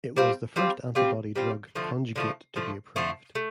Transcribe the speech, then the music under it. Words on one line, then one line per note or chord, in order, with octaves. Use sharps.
It was the first antibody-drug conjugate to be approved.
G3 C4 F4
G3 C4 F4
G3 C4 F4
G3 C4 F4
D3 F3 A3
D3 F3 A3
D3 F3 A3
D3 F3 A3
A3